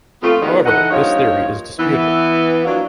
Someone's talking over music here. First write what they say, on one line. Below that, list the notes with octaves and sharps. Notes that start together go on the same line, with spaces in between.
However this theory is disputed.
F2 A3 B3 F4
D#3 F3 G3 G#3 B3
E3 D#4 A4 F#5
G2 F3 A#3 D#4 C#5
E3 B3
F3 F#3 A#3 B3 D4 F4